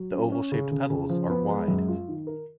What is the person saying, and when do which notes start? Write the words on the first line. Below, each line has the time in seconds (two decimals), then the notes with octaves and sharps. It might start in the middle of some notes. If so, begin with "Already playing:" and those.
The oval-shaped petals are wide.
Already playing: F#3
0.13 C#4
0.32 C#4
0.52 C#3
0.71 C#3
0.90 C#3
1.09 F3
1.30 B3
1.49 G#3
1.68 F#2
1.88 F4
2.08 D#3
2.27 A#4